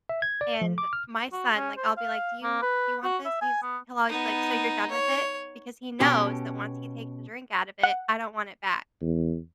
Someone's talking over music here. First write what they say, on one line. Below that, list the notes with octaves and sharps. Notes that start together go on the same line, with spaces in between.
And, my son, like, I'll be like, "Do you do you want this? He's he'll always be like, "So you're done with it? Because he knows that once he takes the drink out of it, I don't want it back.
E5
G#6
D5
F3
D6
F6
F#4
C#4
C5
F5
A#3
B4
F#4
E5
G#5
B3
B3 D#4
C#5
B2 C#4 G4 A4
F#5
E2